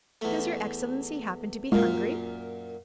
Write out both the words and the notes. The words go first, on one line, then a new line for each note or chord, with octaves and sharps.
"Does your excellency happen to be hungry?"
E2 A3
F#2 A#2 G#3 F4